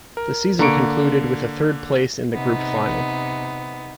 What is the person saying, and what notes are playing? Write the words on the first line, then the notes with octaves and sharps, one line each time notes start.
The season concluded with a third place in the group final.
A#4
D3 A#3 A#5 C#6 C#7 D7
C3 B3 D#4